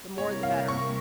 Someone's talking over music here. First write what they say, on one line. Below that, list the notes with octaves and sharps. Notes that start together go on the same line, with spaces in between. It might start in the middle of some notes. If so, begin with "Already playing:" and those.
The more the better.
C3 G3 A#3 E4 A#4 C#5
F5
C#6